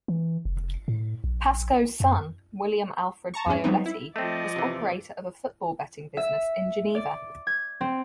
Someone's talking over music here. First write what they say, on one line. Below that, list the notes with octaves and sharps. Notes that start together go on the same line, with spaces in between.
Pascoe's son, William Alfred Bioletti, was operator of a football betting business in Geneva.
E3
F1
A2
A#1
F#2
A5 A#5 C#6
F2 G#2 G#3 C#4
F#3 G3 B3 C4 D#4
E4
F3 A3 C4 D5 D#5
C3 E3
E5
D5
G#6
C4